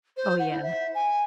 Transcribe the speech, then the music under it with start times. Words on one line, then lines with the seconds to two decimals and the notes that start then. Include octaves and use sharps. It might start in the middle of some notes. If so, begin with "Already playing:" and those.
Oh, yeah.
0.17 C5
0.39 F#5
0.50 E4
0.63 E5
0.95 G#5